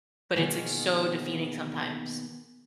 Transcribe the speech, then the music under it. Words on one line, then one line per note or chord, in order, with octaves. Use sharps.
but it's, like, so defeating sometimes
B2 D#3 A#3 B3 G#4